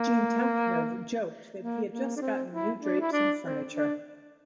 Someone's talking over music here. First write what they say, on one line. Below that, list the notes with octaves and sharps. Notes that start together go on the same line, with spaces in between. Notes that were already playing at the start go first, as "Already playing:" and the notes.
Gene Telpner joked that he had just gotten new drapes and furniture.
Already playing: A#3
A#3
A#3
D4
C4
E4
D4
E4
D4
C4
D4